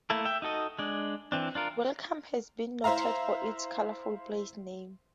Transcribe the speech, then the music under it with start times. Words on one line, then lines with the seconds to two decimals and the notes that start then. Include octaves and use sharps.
Welcome has been noted for its colorful place name.
0.10 A3 A#3 E4 A4
0.25 E5 G5
0.42 D#4 F#4 A4 D#5
0.79 G#3 D4
1.32 E3 C4 D4
1.55 D4 F4 A#4
2.84 E4 C5 E5 F5 A#5